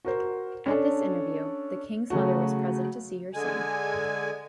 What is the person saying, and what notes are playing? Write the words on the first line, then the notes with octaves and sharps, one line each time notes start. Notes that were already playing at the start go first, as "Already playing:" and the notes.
At this interview, the king's mother was present to see her son.
F#4 A#4 C5
C#4 D4 A4
C#3 F#3 A3 F#4
D3 G#3 G#5